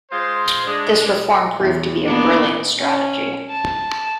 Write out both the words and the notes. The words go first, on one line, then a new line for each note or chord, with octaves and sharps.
This reform proved to be a brilliant strategy.
G#3 F4 C5
G#3 D4
E2
A#3 B3 D4
C#4
A5